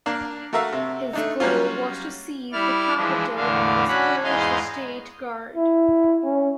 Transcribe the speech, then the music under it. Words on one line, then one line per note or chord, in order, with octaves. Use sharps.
His goal was to seize the capital and disperse the State Guard.
A#3 D4 D5 F5
A3 F#4 A#4 E5 F5
C3
A3 D4 D#4
F#3 G3 A#3 C#4 F4
G3 E4 D5 F6
E3 F3 G#3 D4
E2 A2 D3 D4 F5
C#4 D4 F#4 F#5 B5
E2 G#2 G#4 D#5 F5 C6
E4
C#4